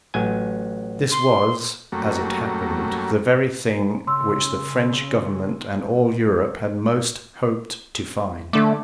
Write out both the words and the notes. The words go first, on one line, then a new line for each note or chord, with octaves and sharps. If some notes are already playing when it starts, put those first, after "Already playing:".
This was, as it happened, the very thing which the French government and all Europe had most hoped to find.
A1 F#3 G#5
C6
F#2 F#3 G3 A3 A#3 C#4
C#3 C6 E6
D3 A3 D6